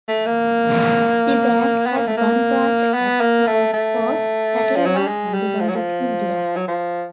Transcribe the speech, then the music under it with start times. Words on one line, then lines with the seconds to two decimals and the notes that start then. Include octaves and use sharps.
The bank had one branch at Chowk Fort, Patiala, Undivided India.
0.08 A3
0.26 A#3
1.86 B3
1.97 A#3
2.07 A3
2.17 A#3
2.94 B3
3.21 A#3
3.47 A3
3.74 A3
4.76 F3
4.86 F#3
4.97 G3
5.07 G#3
5.34 G3
5.60 F3
5.68 F#3
5.75 F3
6.56 F#3
6.68 F3